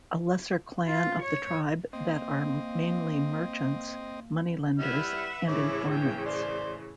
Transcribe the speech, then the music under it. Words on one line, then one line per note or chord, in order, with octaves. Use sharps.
A lesser clan of the Tribe that are mainly merchants, money lenders and informants.
F4
C#5
A#3 C4 D#5
G3 E4 B4 E5 F#5 F6
A2 C#3 E3 E4 C#5 D6
G5
C5 D5